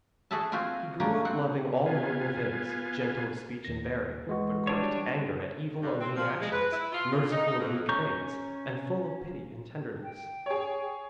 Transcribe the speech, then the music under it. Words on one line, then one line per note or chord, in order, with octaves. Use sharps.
He grew up loving all noble things, gentle of speech and bearing, but quick to anger at evil or mean actions, merciful of weak things, and full of pity and tenderness.
F#4 G#4 A4 E5 A5
C4 F4 F#4 G#5
G3 A#3 C#4 D4
C4 F#5
B3 F4 G#5
D#2 A#6
E3 G#3 F#4
G3 D4 C#5
G2
C4
F3
G#3
B4
E4
F4
A#2
D#4
D#4
F2
C#4 A#5 C#6 G6
G5
G#4 C#5